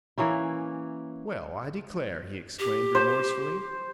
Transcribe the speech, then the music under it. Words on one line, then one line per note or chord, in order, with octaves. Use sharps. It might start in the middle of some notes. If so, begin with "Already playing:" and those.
"Well, I declare!" he exclaimed remorsefully.
E3 A#3 C#4 E4
G4
C5